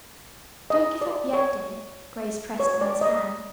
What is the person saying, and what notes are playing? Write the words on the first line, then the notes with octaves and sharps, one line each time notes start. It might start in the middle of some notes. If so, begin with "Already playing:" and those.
"Don't give up yet, dear," Grace pressed Anne's hand.
D#5
D5
C#5
C#5
D5
D#5